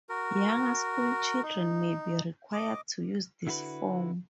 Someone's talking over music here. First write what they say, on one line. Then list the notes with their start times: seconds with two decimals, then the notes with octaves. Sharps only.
Younger school children may be required to use this form.
0.09 F#4 A#4
1.43 D#4
2.53 D#5 D6
3.47 D3 E4 F#4 A#4 B4